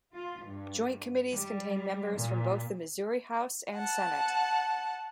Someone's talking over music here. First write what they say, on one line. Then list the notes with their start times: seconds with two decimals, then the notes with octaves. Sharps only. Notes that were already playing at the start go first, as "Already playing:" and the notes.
Joint Committees contain members from both the Missouri House and Senate.
0.14 F4
0.44 G2
1.31 G3
2.14 A#2
3.75 F#5 A5